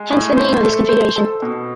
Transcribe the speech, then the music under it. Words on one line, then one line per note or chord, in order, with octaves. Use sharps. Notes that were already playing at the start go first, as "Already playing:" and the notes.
Hence the name of this configuration.
Already playing: G#3
A2
C5
A3
C5
A4
B2